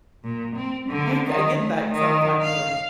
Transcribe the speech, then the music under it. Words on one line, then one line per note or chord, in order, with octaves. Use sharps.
like, I get that sometimes where
A#2
C4
D3
D#3
A3
D#3
F5